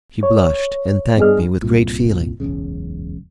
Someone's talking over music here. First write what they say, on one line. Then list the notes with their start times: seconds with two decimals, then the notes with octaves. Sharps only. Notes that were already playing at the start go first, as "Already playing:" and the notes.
She blushed, and thanked me with great feeling.
0.23 C#5
1.17 G2 B3 D4 G#4 D#5 F6
1.62 C2 G2 A#2
2.40 E1 B1 F#2 C#3